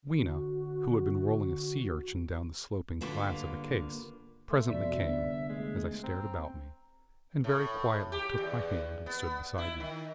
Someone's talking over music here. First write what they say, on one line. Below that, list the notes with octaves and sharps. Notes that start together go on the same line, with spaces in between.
Weena, who had been rolling a sea urchin down the sloping glass of a case, presently came, as I stared about me, and very quietly took my hand and stood beside me.
D3 F#4
G2 D3 A#3 F4 B4
A3 C6
F1 F2 B2 D5 E5
C2 D3 B3
G#3 A3
C4 A#5
A2
G4
E2
B3
E4
D#3